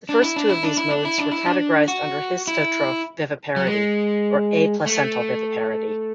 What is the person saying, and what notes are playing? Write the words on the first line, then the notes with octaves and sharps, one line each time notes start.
The first two of these modes were categorized under histotroph viviparity, or aplacental viviparity.
D4
E4
D4
E4
D4
E4
D4
E4
D4
E4
D4
F#4
E4
F#3
G#3
A3